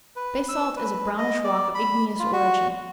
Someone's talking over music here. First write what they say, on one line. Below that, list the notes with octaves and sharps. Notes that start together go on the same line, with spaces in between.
Basalt is a brownish rock of igneous origin.
B4
E6
B4
D#5
D5
B5
F4
F#4